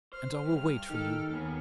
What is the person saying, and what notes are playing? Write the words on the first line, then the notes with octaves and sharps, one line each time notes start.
And I will wait for you.
C5 F6
G2
D#3 G4 A4
D#2 B3 A4 G#5